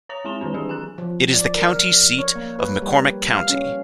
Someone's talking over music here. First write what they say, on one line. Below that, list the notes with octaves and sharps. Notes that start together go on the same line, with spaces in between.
It is the county seat of McCormick County.
C#5 A#5 D#6 A#6 F7
G#3 C4 E4 E7 F7 G7
D#3 E3 C4 D4
F#3 D4 G4 G#4
G#5 A#5 F#6
F3
D5
A#4
C#5
A#3
B4
G3
F5
C#4